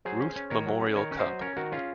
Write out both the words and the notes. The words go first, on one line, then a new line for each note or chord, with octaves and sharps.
Ruth Memorial Cup.
F#3 G#4 C5
C#4
C#4
D#3 A#4 C#5
F#3
C#4
D#3 A#4 C#5
C#4
C5 D#5
F#3
C#4 A#4 C#5
D#3 F#4 A#4
C#4 F4 G#4